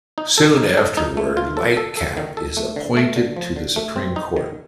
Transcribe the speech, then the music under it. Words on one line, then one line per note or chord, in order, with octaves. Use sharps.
Soon afterward, Lightcap is appointed to the Supreme Court.
D#4
A4
D#4
A4
D#4
A3
F4
A4
A4
A4
D#3
A4
A3
D3
A3
D3
F3
D3
A3
C4
D#4
D#3